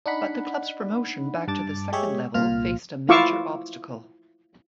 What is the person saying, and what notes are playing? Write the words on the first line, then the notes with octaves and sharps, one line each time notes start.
But the club's promotion back to the second level faced a major obstacle.
D4 D#4 F#5 B5
G2 A5 D6 A6
G#3 G4 G#4 C#5 E5
C2 A#2 F4 F6
E4 F4 F5 C#6 D6 E6